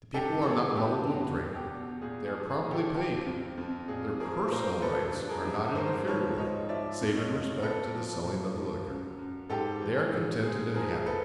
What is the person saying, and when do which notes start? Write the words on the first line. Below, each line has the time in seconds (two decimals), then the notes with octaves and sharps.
The people are not muddled with drink; they are promptly paid; their 'personal' rights are not interfered with, save in respect to the selling of liquor; they are contented and happy.
0.14 G2 G4 A4
0.42 A4
0.45 E3 G#4
0.76 G2 G4
1.07 E2 G4
1.39 B2
1.54 G4
1.70 E2
2.02 A#2 G#4
2.25 G#4
2.32 F3
2.48 G#4
2.64 A#2
2.71 G4 A4
2.95 F3 G4
3.26 F2
3.58 F2
3.88 A#2 G#4
4.20 F3 G#4 A#4
4.51 A#2 A#4 C5
4.82 F3 A4 B4
5.13 G2
5.29 G#4 A#4
5.45 G2
5.75 G#2 A#4 C5
6.06 F3 B4 C#5
6.38 G#2 C#5 D#5
6.69 F3 D5 E5
7.01 F2
7.16 C#5 D#5
7.32 F2
7.63 A#2 A4 B4
7.94 F3
8.25 A#2
8.56 F3
8.88 F#2
9.19 F#2
9.50 G#2 G4 A4
9.81 E3
9.97 G#4
10.12 G#2
10.43 G#2 G#4
10.74 F3 G#4 A#4
11.06 A4 B4